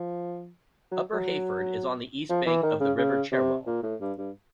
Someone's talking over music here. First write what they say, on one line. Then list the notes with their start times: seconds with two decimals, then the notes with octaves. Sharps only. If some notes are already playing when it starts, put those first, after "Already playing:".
Upper Heyford is on the east bank of the River Cherwell.
Already playing: F3
0.92 F#3
1.13 F#3
2.29 F3
2.46 E3
2.63 D#3
2.80 C#3
2.98 C#3
3.32 C3
3.67 A#2
3.83 A2
4.01 G2
4.18 G2